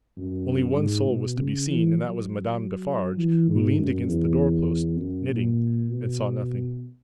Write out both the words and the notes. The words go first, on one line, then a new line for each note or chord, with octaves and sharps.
Only one soul was to be seen, and that was Madame Defarge--who leaned against the door-post, knitting, and saw nothing.
F#2
G#2
B2
C#3
E3
F#3
E3
G#2
F#2
E2
F#2
A#2
B2